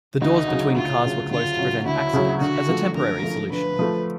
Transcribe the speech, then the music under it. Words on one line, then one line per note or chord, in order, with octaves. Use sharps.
The doors between cars were closed to prevent accidents as a temporary solution.
D2 D#4
C#3 F#3
D2 F4
C#3 F#3
D2 F4
C#3 F#3
D2 E4
C#3 F#3
D3 F#4
F3 A3
D3 A#4
F3 A3
D3 B4
F3 A3